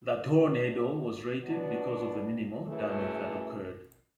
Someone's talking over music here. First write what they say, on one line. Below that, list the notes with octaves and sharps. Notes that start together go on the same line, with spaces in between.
The tornado was rated because of the minimal damage that occurred.
F#2 D3 F#3
B2 F#3 B3 D4 F#4
F#2 C#3 E3 A3